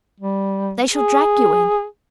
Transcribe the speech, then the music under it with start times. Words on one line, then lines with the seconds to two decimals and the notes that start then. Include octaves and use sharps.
"They shall drag you in."
0.20 G3
0.93 G#4